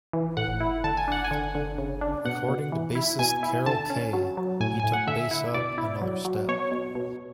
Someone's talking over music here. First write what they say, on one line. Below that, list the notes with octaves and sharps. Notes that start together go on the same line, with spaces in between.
According to bassist Carol Kaye, He took bass up another step.
E3
A2 F#5
E4
D3 A5
G#5
D4 F#5
G#5
D3
D3
C#3
D4
B2 F#5
B2
E3
E4
B2 G#5
E4
D3 A5
C#4
F#3
F#3
A2 G#5
A2 G#5
F#5
D3 E5
E4
B2 D5
E4
F#3
F#3
B2 C#5
B2
B2